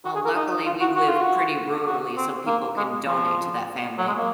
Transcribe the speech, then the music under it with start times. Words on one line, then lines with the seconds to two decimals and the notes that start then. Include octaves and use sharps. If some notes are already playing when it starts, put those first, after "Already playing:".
Well, luckily we live pretty rurally, so people can donate to that family.
0.05 F#4
0.15 G#4
0.25 A#4
0.36 D#4
0.66 F4
0.81 F#4
0.95 F#4
1.08 F4
1.21 F#4
1.87 F#4
2.17 C4
2.47 A#3
2.77 G#3
3.07 F3
3.98 F#3
4.08 G#3
4.18 A#3